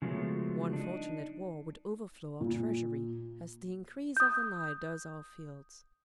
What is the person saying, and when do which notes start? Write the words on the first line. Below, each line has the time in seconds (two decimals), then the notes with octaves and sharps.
"One fortunate war would overflow our treasury as the increase of the Nile does our fields."
0.02 C#3 F3 F#3 G#3 A3 B3
0.73 D4 D#4
2.41 A#2
4.17 D#6 G6